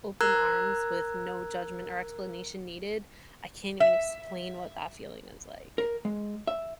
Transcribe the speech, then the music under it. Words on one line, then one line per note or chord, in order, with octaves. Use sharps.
open arms with no judgment or explanation needed, I can't even explain what that feeling is like.
A#4 A#5 E6 F#6 G#6
E5
A#4
G#3
E5